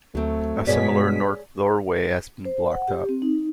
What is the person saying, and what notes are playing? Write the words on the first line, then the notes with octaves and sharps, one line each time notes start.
A similar north doorway has been blocked up.
D2 F#3 A3 C4
G2 B2 G#3 G#4 C#5 D5 B6
C5
F#5
G4
C4
D#4